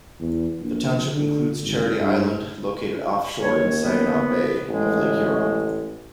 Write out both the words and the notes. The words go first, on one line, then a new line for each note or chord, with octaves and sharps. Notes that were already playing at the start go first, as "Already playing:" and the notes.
The township includes Charity Island, located offshore in Saginaw Bay of Lake Huron.
E2
A#1
D3
G#1
G2
D#2 C#5
B3
A1 G#3